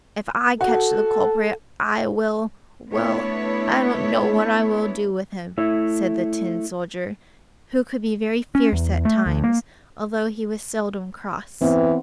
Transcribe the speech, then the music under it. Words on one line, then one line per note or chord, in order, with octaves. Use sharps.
"If I catch the culprit, I will--well, I don't know what I will do with him!" said the tin soldier, who could be very fierce at times, although he was seldom cross.
F#4 A4
A3 B3 D4 E4 C#5
A3 E4 C#5
C#4
E2
A3
D2
A#3
E3 B3 C4